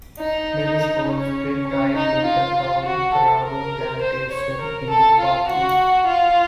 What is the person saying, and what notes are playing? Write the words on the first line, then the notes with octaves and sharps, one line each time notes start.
Lewis Woolf Grip-tight Limited owned a rubber plantation in the Far East.
D#4
C#4
C#4
D#4
F4
F#4
A4
A#4
C5
C#5
A#4
A4
F4
F#4
F4